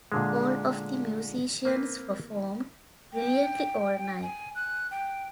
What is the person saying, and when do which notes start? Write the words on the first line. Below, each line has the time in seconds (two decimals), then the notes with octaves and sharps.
All of the musicians performed brilliantly all night.
0.12 A#2 D3 G#3
1.65 A#3 C4 B4
3.13 G5
4.22 G#5
4.56 F#6
4.91 G5